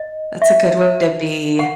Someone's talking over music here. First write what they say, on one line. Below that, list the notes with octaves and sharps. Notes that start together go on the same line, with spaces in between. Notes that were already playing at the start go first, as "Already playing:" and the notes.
that's a good way to be,
Already playing: D#5
E5
F#5